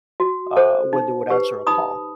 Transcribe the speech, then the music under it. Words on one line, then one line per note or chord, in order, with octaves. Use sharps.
uh, when they would answer a call.
F#4
A4 C5
D#4
G4 B4
D#4 B5 D#6